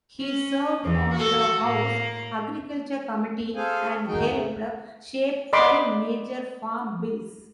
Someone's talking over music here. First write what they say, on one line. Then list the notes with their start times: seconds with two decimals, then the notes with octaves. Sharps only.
He served on the House Agriculture Committee and helped shape five major farm bills.
0.20 C#4
0.84 E2
1.14 F#4 A4
1.62 A2 A#3
3.56 G#4 A4 C5 F5 G#5
4.07 D#3 D#4 F#4 G#4 G5
4.27 C#3 A3
5.53 D5 D#5 B5 C6 D6